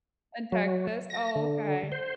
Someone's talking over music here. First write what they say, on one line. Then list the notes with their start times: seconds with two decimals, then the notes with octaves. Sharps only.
in Texas? Oh, okay.
0.52 F#3
1.10 A#6
1.36 D3
1.92 C5